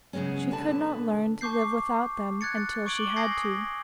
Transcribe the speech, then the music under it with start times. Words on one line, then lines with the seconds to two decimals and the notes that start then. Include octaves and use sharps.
She could not learn to live without them until she had to.
0.13 C#3 F#3 G#3 B3 C#4
0.51 B2 D3 B3 B4 A5
1.41 A5 C#6 D6 G6 C7
2.41 F#6 G#6 A6 C#7
2.86 C#6 D6 G#6 D7 F#7 G7
3.16 G#5 D#6 G6 G#6 A#6 C7